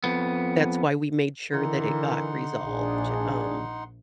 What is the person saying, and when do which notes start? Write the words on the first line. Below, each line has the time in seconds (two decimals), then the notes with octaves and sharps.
that's why we made sure that it got resolved. Um,
0.04 F2 B3
1.53 D3 E3 D#4 A#4 F#5 C6
2.67 A#1 D4 G#4